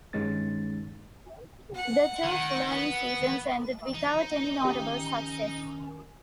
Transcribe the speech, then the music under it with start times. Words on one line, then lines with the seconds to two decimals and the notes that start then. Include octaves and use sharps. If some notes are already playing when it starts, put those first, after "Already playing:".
The two following seasons ended without any notable success.
0.13 G2 D#3 G#3 C#4 D#4 A6
1.75 F#5
2.24 D#3
2.72 B3
3.94 D#4
4.61 D#3 C#4 G4 D#5 D#6